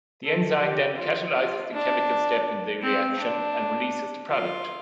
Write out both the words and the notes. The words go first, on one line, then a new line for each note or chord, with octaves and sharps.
The enzyme then catalyzes the chemical step in the reaction and releases the product.
A4
G4
F4
F4
D4
C4
D4
F4